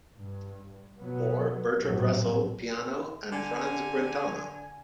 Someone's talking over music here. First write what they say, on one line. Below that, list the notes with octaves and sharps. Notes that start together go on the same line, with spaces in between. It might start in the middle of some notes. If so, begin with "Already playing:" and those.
Moore, Bertrand Russell, Peano, and Franz Brentano.
G2
B2 F#3 B3
A#1 F#2 A2 C3 F#3
D3 G#5